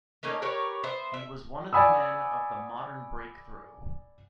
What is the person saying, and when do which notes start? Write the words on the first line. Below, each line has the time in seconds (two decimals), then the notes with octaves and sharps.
He was one of the men of "the Modern Break-through".
0.23 A3 A#3 C#4 D#4
0.42 G4 A#4 B4 C#5
0.83 B3 C5 E5
1.14 E5
1.73 D5 F#5 G#5 B5 D#6 E6